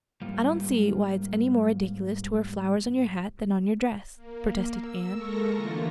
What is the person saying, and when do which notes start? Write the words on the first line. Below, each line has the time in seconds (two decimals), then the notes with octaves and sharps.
"I don't see why it's any more ridiculous to wear flowers on your hat than on your dress," protested Anne.
0.21 G#2 G3 A#3 F4
4.15 A#3
4.77 E6
5.13 G#3 A4 A#4 C#6 A#6
5.51 D3 E3 A3 A#3 F4